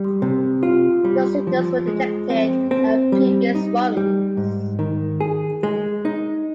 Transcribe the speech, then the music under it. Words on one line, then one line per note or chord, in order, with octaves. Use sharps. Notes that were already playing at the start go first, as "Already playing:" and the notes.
No signals were detected on previous runs.
Already playing: G3
C3
F4
G3
F3
G#3
C4
C4
G3
D#4
G3
G#2
D#3
G#4
G#3
D#4